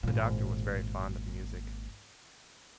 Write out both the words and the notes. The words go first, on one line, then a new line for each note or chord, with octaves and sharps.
The Doctor was very fond of music.
G#1 A#2